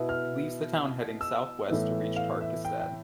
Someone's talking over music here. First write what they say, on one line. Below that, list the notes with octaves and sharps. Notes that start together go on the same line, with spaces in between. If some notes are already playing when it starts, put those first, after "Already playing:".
It leaves the town heading south-west to reach Tarkastad.
Already playing: B2 B3 E4
F6
E6
A2 E3 B3
F5
E5
G5
G5